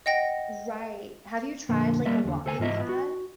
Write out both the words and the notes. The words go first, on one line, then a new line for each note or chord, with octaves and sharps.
Right. Have you tried, like, a walking pad
D#5 F#5 G5 A#6
F2 A#2 D3 A#3
G3 A#3 A#4 D5 E5
E2 D3
D2 A4 C5 F5 G#5
G#2 E3 F4 D#5 E5
F#4